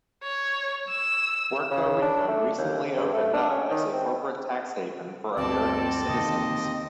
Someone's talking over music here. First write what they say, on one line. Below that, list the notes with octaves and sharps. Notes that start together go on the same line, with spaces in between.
Puerto Rico recently opened up as a corporate tax haven for American citizens.
C#5
E6
C#3
D4
A3
D#2
G2
A3
D4
C#4
D#3
C4
D2 G2 B2 C4 A4 D5 A5
E1 D#2 D3 A#3 D#5